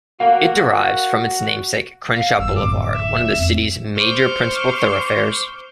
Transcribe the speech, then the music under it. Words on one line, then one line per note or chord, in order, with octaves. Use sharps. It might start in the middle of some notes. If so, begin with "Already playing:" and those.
It derives from its namesake Crenshaw Boulevard, one of the city's major principal thoroughfares.
F#4 A#4 F5
F5
G1 E3 E6
D1 F#2 D6
E5
F2 B3
C5 C#6 D6 F6 G6